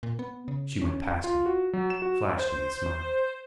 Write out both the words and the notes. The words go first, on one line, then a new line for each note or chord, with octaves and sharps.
She went past me, flashed me a smile.
A#2
B3
C#3
C#4
F4
F#4
F#3
E7
F#4
C5